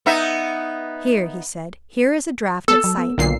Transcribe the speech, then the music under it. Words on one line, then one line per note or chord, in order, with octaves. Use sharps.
"Here," he said, "here is a draft at sight."
B3 D#4 E5
B3 A4 E6
F#3
B3
B1 A#2 D3 C7